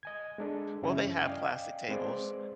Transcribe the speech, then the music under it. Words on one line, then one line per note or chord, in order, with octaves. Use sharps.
Well, they have plastic tables,
D#5 G#5 G#6
G#3 D4 A4
F#2 C#3 E3 C#4 E4 C#5
D5 D#5 F5 G5 G#5
G#3 C4 G#4 B4 C5 D5